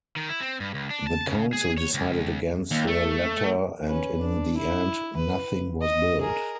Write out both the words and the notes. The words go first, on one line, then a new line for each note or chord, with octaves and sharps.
The council decided against the latter and in the end nothing was built.
D#3
E4
C4
G2
C#2
D4
A5
C#3
G#4
C#5
C#2
D#2
A3
C#4 B4
D4
E4
B4
D#5
G#4 A#4